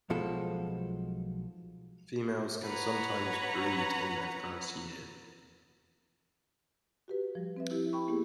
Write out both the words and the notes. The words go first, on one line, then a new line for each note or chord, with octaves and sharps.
Females can sometimes breed in their first year.
B1 B2 F3 G#3 A4
B4 C#5 F#5 A#5
F#4 G4 B4
F3 G3
C4 B4 E5
E4 G4
G5 B5 C#6
A#3 B3 E4 G4 G#4